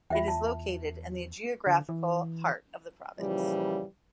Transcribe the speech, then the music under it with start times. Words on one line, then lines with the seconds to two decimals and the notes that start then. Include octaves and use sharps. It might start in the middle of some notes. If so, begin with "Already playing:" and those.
It is located in the geographical heart of the province.
0.10 E2 F4 E5 G5
0.28 A5
1.67 D3
1.89 E3
3.19 A#2 C#3 E3 F3 G3